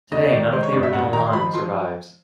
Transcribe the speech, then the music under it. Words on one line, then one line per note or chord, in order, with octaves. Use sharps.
Today none of the original line survives.
D#2 D#5
D#5
D#3 D5
G#3 C5
C#5
G2 D5
E5
A1 F#5
D#3 A#5
C6
F3 B5
F3 C6